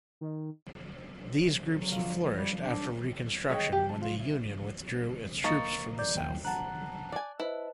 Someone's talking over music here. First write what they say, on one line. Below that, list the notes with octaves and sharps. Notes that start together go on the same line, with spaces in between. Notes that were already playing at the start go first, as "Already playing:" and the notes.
These groups flourished after Reconstruction when the Union withdrew its troops from the South.
D#3
F#3
F3 F5
G3
D4
G#4 C#5 D#5 G5
G4
A5
F4
E4
A#3 D#4 C#6 A6 C#7
D5 G6
D#2 G5
F#5 A5 A#5 F#6
D5 G#5
E4 B4 C5 D#5